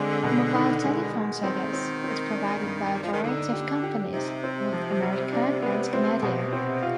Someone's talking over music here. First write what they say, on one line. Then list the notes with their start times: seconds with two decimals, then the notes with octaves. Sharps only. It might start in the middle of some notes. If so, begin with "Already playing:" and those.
Mobile telephone service is provided by a variety of companies, both American and Canadian.
Already playing: D3 G#3 C4
0.23 B2
0.54 D#3
0.84 G#3
1.13 G#3
1.43 D#3 C4
1.73 C4
2.04 C4
2.33 D4
2.62 G2
2.93 G3 D4
3.04 F3
3.13 D#3
3.23 D3 D#4
3.53 G4
3.83 G4
4.13 C3 D#4
4.43 C4
4.73 F3
5.03 G3
5.33 D4
5.63 B3
5.93 C4
6.23 B2
6.53 C4
6.82 F4